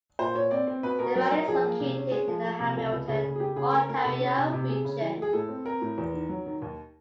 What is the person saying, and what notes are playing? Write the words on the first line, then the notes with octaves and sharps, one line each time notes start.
The riding is located in the Hamilton, Ontario region.
A#2 C5
A#2 C#5
C4 D5
C4
B2 B4
B2 A#4
F#3 A#4
F#3 A#4
F3 G#4
A#3
C3
C#4
G#3 G#4
F3
F3
C3
C#2 A4
C#2
C#3 G#4
C#3
G#4
A3 G4
C#3 G#4
A3 A#4
A3 A#4
C3 A4
C#4
C3
C3
A3 G#4
C#3
E3
A3
G#4
A2 A4
C4
C4 A#4
A2
E2
D#3
F#3
D#3
D#2